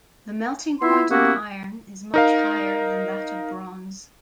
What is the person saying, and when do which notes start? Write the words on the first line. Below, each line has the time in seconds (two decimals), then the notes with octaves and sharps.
The melting point of iron is much higher than that of bronze.
0.82 B3 E4 F4 E5 C6
1.10 A#3 B3 C#4 E4 F#4 G4
2.14 D#4 A#4 F5